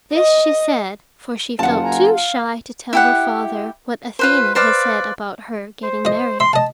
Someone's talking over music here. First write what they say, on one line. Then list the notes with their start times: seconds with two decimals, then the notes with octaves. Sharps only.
This she said, for she felt too shy to tell her father what Athene had said about her getting married.
0.13 D#5
1.59 F#1 F#2 D#3 F4 F#5 A5
1.84 G#5 A#5
2.15 F5
2.93 E4 G4 F#5
4.19 F4 B4 C5
4.55 B4 C5 D5 F5
5.83 C5
6.05 F4 D#5
6.40 E5 C6
6.53 D#5 F5 A5